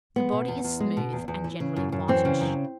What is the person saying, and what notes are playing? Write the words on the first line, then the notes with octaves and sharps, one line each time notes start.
The body is smooth, and generally whitish.
G#3 B3
B2
E2
E2
G#3
B2
E2
E2
E3
C#3
F#2
F#2
E3 C4
C#3
F#2